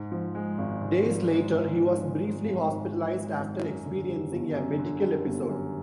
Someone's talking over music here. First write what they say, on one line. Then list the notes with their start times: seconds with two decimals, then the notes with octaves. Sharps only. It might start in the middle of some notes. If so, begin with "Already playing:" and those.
Days later he was briefly hospitalized after experiencing a "Medical episode".
Already playing: G#2
0.12 F3
0.35 G#3
0.58 G#1
0.81 G#2
1.05 F3
1.28 G#3
1.52 G#1
1.75 G#2
1.98 F3
2.21 G#3
2.45 G#1
2.68 G#2
2.92 F3
3.15 G#3
3.38 G#1
3.62 F#2
3.85 D3
4.09 G3
4.32 G1
4.55 F#2
4.78 D3
5.02 G3
5.25 G1
5.49 F#2